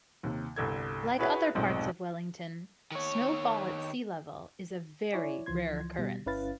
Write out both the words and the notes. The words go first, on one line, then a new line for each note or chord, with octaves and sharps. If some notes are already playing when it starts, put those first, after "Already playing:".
Like other parts of Wellington, snowfall at sea level is a very rare occurrence.
D#2 C3
G1 C2 A4 G#6
E4 F#4 G#4 B4 C#5 E5
F1 B1 G#2 F3 C4
D#3 C#5
E4 C#5 D5 G#5
C#2 E3 F3 C6 G#6
B2 G3
G1 C#4 E4 B4 F5 A6